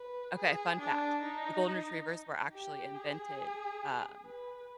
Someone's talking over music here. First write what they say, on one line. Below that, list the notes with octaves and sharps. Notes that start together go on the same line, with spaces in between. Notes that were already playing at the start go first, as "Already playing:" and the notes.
Okay, fun fact. The golden retrievers were actually invented, um,
Already playing: B4
G#4
D4
D#4
G4
G#4
B4